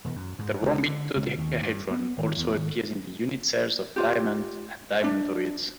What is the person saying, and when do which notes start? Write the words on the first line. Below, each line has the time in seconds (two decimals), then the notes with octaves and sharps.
The rhombic dodecahedron also appears in the unit cells of diamond and diamondoids.
0.04 E1
0.16 F#2
0.39 G#2
0.62 C#2
0.86 D3
1.16 C#2
1.38 D#2
1.61 G2
1.91 B3
2.18 G#1
2.37 E2
2.56 G#1
3.96 F4 G4
5.01 D4 E5